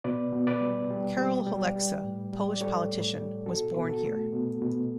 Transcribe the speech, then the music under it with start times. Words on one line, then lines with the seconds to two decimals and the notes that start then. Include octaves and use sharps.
Karol Holeksa, Polish politician, was born here.
0.04 B2 B4 D5
0.32 B2
0.47 B4 D5
0.61 G3
0.90 G3
1.18 G3
1.46 G3
1.76 G3
2.04 A2
2.33 G3
2.53 D5
2.60 G3 A4 C#5
2.89 A2
3.19 G3
3.46 B2 F#4 A4
3.75 B2
3.89 F#4 A4
4.04 A3
4.32 B2
4.61 B2